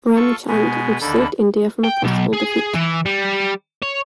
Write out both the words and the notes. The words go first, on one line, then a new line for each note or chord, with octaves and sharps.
Ramchand which saved India from a possible defeat.
F4 A4 C#6
B2 G#3 B3 G#5
D#2 D3 A4 B5
G5
B1
G#4
E3
G3
C#5